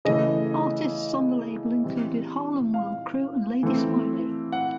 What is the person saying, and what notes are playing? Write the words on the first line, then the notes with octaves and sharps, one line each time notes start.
Artists on the label included Harlem World Crew and Lady Smiley.
C#3 E3 A3 D#5
E3 G3 C4
F5
E3 A3 C4
F#5